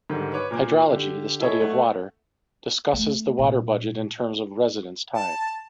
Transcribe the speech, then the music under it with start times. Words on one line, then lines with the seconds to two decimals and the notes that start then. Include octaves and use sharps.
Hydrology, the study of water, discusses the water budget in terms of residence time.
0.10 G#2 D3 D#3 G3
0.33 B4 C#5 D6
0.51 A#2 A#3 D6
0.89 D3 G4
1.40 D#4 E4 G#4 A4 C#5 D#5
1.61 A3 F#5
2.93 A3
3.39 A#2
5.14 A5